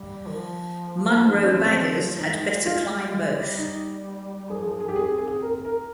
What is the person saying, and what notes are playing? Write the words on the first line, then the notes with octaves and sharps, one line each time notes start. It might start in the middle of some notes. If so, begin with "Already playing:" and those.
Munro baggers had better climb both.
Already playing: G3
D#3
F3
D#4
C#4
C4
F3
G#3 D#4
G#3 F4
G#3
G3
D#4
F3 G#4
F3 G#4
G3 G#4
G4
C4 G#4
G#4
A#4
A#4